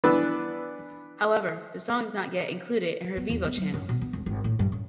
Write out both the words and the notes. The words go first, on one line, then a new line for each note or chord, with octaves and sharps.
However, the song is not yet included in her Vevo channel.
E3 B3 D4 B4 E6
B3
E2
B3
F#3
F#2
B2
B3
E1
G#1
A2
G2
C#3